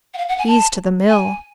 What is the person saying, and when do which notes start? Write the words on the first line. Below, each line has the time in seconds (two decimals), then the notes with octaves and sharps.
"He's to the mill."
0.14 F#5
0.18 F5
0.29 F#5
0.39 G#5
0.48 A5
1.09 G#5